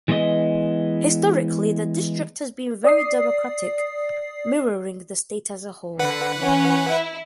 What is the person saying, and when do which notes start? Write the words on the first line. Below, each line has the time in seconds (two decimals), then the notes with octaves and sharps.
Historically, the district has been very Democratic, mirroring the state as a whole.
0.08 E3 G#3 B3 F4 D#5
2.84 D5 D#6 C7
5.99 D3 B4 F#5
6.38 E3 C#4
6.89 E4